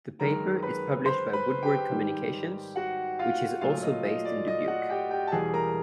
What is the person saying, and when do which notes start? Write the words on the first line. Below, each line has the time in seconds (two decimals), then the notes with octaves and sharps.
The paper is published by Woodward Communications, which is also based in Dubuque.
0.20 F#2 D#3 G#3 A#4 A#5
0.62 B4 B5
1.06 C5 C6
1.33 B4 B5
1.63 G4 G5
1.91 G#2 D#3 G3
2.76 F#4 F#5
3.19 F4 F5
3.61 A#2 F#3 A3 F4 F5
3.83 D#5
4.05 D#5
4.25 D5
4.47 D#5
4.68 F#4 F#5
4.90 G4 G5
5.11 G4 G5
5.27 A5
5.32 E2 B2 G3 G#4 G#5
5.53 A#4 A#5